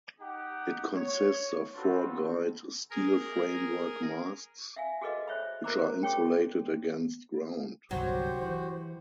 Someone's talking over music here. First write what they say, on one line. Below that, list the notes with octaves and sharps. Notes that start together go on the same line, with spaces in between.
It consists of four guyed steel framework masts, which are insulated against ground.
D#4 G4 F#5
C#5
C4 D4 F4 F#4 A4 B4
G#4 A#4
E5 F5 G#5
F#4 G#4 A4 B4 D#5 F5
C5 C#5 E5 B5
F#4 A#4 C5 A#5 B5 D6
F#4 G#4 C#5 G5
G1 C2 F#3 F#4 G4 C5
E3